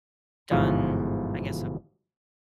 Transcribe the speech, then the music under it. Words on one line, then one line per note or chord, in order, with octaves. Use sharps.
done, I guess a
G1 G#2 B2 E3 F3